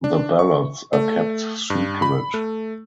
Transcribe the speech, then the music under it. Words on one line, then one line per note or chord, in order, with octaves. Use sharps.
The ballots are kept secret.
D4
C#6
A3
G2
B5
A3